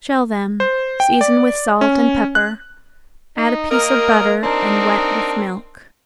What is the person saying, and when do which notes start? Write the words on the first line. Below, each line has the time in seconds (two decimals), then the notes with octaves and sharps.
Shell them, season with salt and pepper, add a piece of butter and wet with milk.
0.60 C5
1.00 G5
1.21 D5
1.81 C#4
2.35 F#6
3.37 D#4
3.71 A#3 A#4 D#5 F6
4.43 C4 D4 D#4 A#4